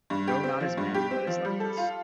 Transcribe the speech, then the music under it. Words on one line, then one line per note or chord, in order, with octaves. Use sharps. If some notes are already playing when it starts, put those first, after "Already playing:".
Go not as men, but as leopards.
G2
G4
C4
F3
G2
G4
C4
F3
G3
A4
F4